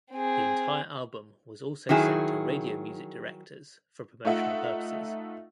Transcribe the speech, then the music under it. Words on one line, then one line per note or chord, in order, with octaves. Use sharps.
The entire album was also sent to radio music directors for promotional purposes.
C4 G#4
D#3 F#3 E4 G#4
A3 D#4 F4 E5 F#5